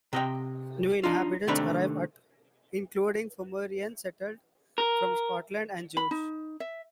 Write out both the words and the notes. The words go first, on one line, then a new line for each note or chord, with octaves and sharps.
New inhabitants arrived, including Pomeranians, settlers from Scotland, and Jews.
C3 D#5 G5
D4 D#4 F4
C3 D#3 A3 C4 D4 B5
A#4
B5
D#4
E5